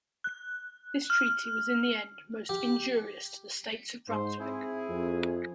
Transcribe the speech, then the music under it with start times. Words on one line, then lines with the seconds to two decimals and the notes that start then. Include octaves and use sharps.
This treaty was in the end most injurious to the states of Brunswick.
0.24 F#6
1.10 F6
2.49 G4
4.09 G#2 C5
4.40 C4 E4 G#4
4.88 F2